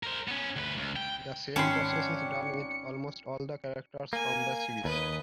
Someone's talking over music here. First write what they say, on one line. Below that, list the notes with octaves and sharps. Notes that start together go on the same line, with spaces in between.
The same process is done with almost all the other characters from the series.
A#4 C5
B3 C#4
D2 B4
C#2
G5
G#1 C#4 D4 G5 B5 C6 G#6 C#7
A#3 G#5
D#2 B4 D#5